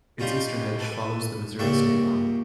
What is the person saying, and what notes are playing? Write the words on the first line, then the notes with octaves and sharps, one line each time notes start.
Its eastern edge follows the Missouri state line.
G3 C#4 D#4 F4 G4
A4 B4 G#5
C#2 A#3 G4 D5 E5 C#6